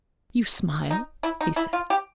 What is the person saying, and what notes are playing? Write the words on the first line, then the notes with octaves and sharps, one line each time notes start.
"You smile," he said?
D#4
E4
D#4
E4
F4
G4